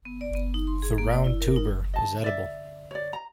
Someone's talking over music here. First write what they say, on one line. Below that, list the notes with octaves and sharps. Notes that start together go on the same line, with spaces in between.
The round tuber is edible.
B3
D5
B3
D#4
C6
G#4
A#3
D5
E4
A#4
D#4
D#5 A5
D5 E5
C#5 D5
A#5